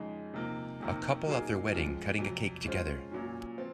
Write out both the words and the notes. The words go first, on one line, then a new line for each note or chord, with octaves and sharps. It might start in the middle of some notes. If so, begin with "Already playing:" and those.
A couple at their wedding cutting a cake together.
Already playing: F2 C#3 G#3 D#4
C3 F3 A#3 D#4
F2 C3 D#3 A#3
A#2 F#3 A#3 D#4 G#4
F2 C#3 F3 G#3
F2 C3 F#3
G#3 C#4 F4 C5
A#2 F#3 C#4
F3 C4